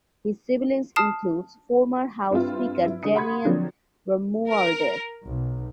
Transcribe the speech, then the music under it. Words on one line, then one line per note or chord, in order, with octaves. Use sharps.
His siblings includes former House Speaker Daniel Romualdez.
A5 D#6 F6 C7 E7
G2 C4 E4 F4
E4
D3 G#3 D#6 C#7
F#5 B5 C6 D#6 G#6
D3 F3 F#3 C4 D4
A#4
B1